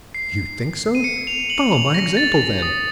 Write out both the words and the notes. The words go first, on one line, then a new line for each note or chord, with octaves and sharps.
"You think so?--follow my example, then."
C7
D#7
C#7
F7
F#7
F7
A#6
A6
D#6